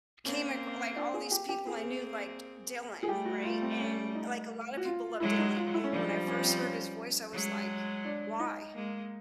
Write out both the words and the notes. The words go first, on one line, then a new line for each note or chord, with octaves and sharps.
came ac like, all these people I knew liked Dylan, right? And, like, a lot of people love Dylan, and when I first heard his voice, I was, like, "Why?”
A#3 C4 C#4
D4
G#4
G4
G4
A#3 C4 G#4
G#4
G3 A3 G4
F#4
F4
C4
C#4
D#4
F#4
F4
F#3 G#3 E4
D#4
F4
E4
C#4
F3 G3 D4
D4
C#4
C4
C#4
F#3 G#3
D4
D#4
G#3 A#3